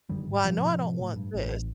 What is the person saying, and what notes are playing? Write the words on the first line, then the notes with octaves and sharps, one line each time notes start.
"Well, I know I don't want this."
F#2 D3 D#3 G3
G#2
A2 C3 F3
A2
G2
A1